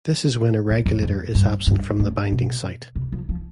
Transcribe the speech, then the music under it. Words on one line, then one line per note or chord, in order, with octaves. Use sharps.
This is when a regulator is absent from the binding site.
A2
F2
F2
G2
G2
A2
B2
C3
F3
F3